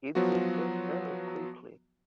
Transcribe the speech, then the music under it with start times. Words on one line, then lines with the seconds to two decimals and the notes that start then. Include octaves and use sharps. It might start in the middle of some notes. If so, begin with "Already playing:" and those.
It will get better quickly.
0.15 F3 F#3 B3 F4 F#4